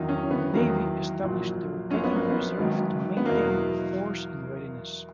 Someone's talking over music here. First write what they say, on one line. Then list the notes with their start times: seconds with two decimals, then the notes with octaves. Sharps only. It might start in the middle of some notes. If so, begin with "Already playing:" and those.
The Navy established the rotating reserve to maintain a force in readiness.
Already playing: E2 D#3 F#3 D#4
0.09 C#4
0.31 B3
0.54 E2 D#3 F#3 A#3
1.23 A#1 A#2 F#3
1.89 A#1 A#2 F#3 C#4
2.04 B3
2.16 A#3
2.30 B3
2.58 G#1 G#2 D#3 F#3
3.17 B3
3.25 E2 B2 F#3 A#3